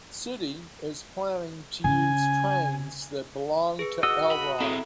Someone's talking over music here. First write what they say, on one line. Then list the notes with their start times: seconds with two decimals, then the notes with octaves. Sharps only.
City is planning to use trains that belong to Elron.
1.84 C#3 G#5
3.79 G#4 B4 C#7
4.03 F#4 D#5 E6
4.31 B5
4.60 C4 E4 G#4 A4 A#5 B5